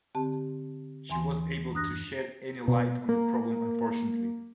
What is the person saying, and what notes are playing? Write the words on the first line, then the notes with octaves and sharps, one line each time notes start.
She wasn’t able to shed any light on the problem, unfortunately.
D3 C4 G4 A5
D#2 E3 G#5 C6
F#2 D4 D#6 F#6 A#6
B2
A#3